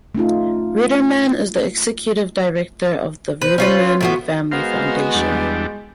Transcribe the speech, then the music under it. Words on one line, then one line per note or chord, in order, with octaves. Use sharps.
Ruderman is the executive director of the Ruderman Family Foundation.
A3 C#4 D#4 F4
B4 C5
C#4 F4 B4
A2 F3 B3 F#4
G#3 B3 F#4 A#4 C5 F5
E2 G3 D4